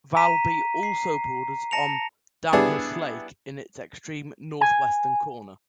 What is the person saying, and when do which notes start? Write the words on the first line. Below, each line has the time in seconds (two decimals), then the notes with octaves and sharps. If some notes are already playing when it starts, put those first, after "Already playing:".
Valby also borders on Damhus Lake in its extreme north-western corner.
0.16 A#5 B6 D#7
0.83 C7
1.71 A5 A#6 C#7 D7 F7
2.53 G3 B3 D4 E4 G#4
4.61 G#5